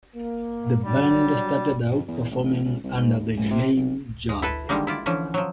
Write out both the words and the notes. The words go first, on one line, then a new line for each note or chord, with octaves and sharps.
The band started out performing under the name Jar.
A#3
F#3 G3 D4
F2
E2
A1
A1
C#2
C2
G#2
D#2
F#1
C3
B1
G#3
E4 A4 B4
D3 D#3 G3 G#3 A#3
E4 F4 D5
D3 E3 F3 C#4
F3 F#3